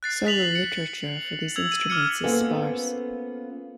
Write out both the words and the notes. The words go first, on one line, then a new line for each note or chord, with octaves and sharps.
Solo literature for these instruments is sparse.
F#6 A6 C7
B6 F7 F#7
C#7
E6 G#6 F7 F#7
D#7
D6 F6 G#6 C#7
A#3 B3 C#4 F4 A4 C5